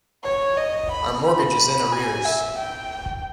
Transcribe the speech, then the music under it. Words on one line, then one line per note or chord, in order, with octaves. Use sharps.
Our mortgage is in arrears.
C#5
D#5
B5
B5
G#5
E5
G5